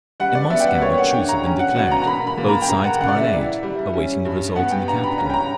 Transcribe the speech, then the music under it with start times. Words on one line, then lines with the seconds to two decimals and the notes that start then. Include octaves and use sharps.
In Moscow a truce had been declared; both sides parleyed, awaiting the result in the capital.
0.20 G3 F#5
0.35 D5
0.50 B3 E5
0.60 G5
0.67 F#5
0.82 A#3 C#5
0.98 F#5
1.13 D4 G5
1.29 A#5
1.44 C#4
1.59 F#5
1.75 B2 F#5
1.91 A#5
2.02 A#5
2.07 A#3 B5
2.27 B5
2.38 A#2
2.49 A#5
2.62 G5
2.69 A#3 A#5
2.84 F#5
3.00 C#3 F#5
3.08 D5
3.16 E5
3.32 E3
3.63 G3
3.94 C#4
4.25 G2
4.56 B3 F#5
4.71 G5
4.88 D4 A#5
5.03 B5
5.18 C#4 A#5
5.30 G5
5.34 A#5